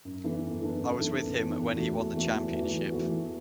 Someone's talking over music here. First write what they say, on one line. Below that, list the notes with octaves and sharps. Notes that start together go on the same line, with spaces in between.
I was with him when he won the Championship.
F#2
E3 B3 D4 A4
F#2
E3 B3 D4 A4
F#2
E3 B3 D4 A4
F#2
E3 B3 D4 A4
E2
E3 A3 F#4
E2
E3 A3 F#4
E2
E3 A3 F#4
E2
E3 A3 F#4
E2